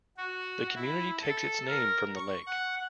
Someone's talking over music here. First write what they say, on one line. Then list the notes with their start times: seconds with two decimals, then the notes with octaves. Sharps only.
The community takes its name from the lake.
0.17 F#4
0.76 E4
1.21 A4
1.67 A#4
2.15 C#6
2.47 F#5